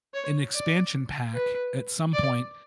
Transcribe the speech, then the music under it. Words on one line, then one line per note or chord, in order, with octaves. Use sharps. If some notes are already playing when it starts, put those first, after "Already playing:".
an expansion pack at some point
C#5
D5
B4
D5